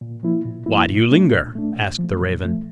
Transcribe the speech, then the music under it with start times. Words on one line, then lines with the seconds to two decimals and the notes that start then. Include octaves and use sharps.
"Why do you linger?" asked the raven.
0.01 A#2
0.23 F3 A#3 E4
0.45 A#2
0.66 F3 A#3 E4
0.89 A#2
1.11 A3 D4
1.34 A#2
1.55 A3 D4
1.76 A#2
1.99 F3
2.04 A3
2.21 A#2
2.43 F3 A3